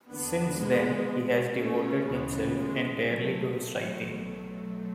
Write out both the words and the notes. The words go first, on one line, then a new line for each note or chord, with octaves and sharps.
Since then, he has devoted himself entirely to his writing.
E2 D3 B3 D4
G#3 B3
A3 C#4
D2 C#3 E3 G#3 B3
G#3
F#3 A3
F#3 A3
B1 B2 F#3 A3